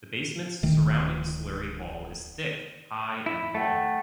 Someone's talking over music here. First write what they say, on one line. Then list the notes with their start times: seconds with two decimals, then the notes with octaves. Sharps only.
The basement's surrounding slurry wall is thick, high and long.
0.63 D1 D2 D#3 A3
3.26 E4
3.55 A3 E5 F#5 G5